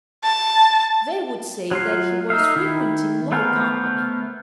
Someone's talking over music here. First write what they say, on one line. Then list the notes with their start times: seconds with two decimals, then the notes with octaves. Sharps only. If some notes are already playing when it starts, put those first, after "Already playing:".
They would say that he was frequenting low company.
0.24 A5
1.71 F#3 F4 C6
2.30 D#4 E5 F5
2.56 D#3 E4
3.32 A3 B3 A#4 C5 F5